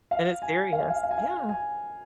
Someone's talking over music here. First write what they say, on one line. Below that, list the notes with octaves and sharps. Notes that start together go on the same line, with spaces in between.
And it's serious Yeah.
F5
G#5
F5
G#5
F5
F5
G#5
F5
G#5